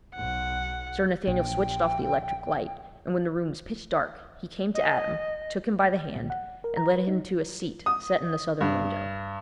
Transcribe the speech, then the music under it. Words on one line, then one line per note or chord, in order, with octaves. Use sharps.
Sir Nathaniel switched off the electric light, and when the room was pitch dark, he came to Adam, took him by the hand, and led him to a seat set in the southern window.
B1 F#5
A#1 G5
D#5
A#2
F#5
A#4
A#5
B4
D#4
D#6
G2